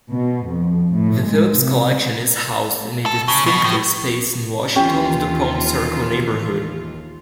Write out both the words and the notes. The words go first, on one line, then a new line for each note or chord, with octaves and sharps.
The Phillips Collection is housed in a distinctive space in Washington's Dupont Circle neighborhood.
B2
F2
A2
G#3
C3
A4
C#3
B2
A2
D#2 E3 C#4 F4 G4